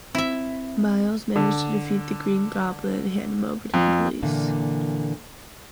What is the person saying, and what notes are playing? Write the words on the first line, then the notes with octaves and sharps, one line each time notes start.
Miles managed to defeat the Green Goblin and hand him over to the police.
C4 E4 E5
D3
F2
A#2 D3 E3 A#3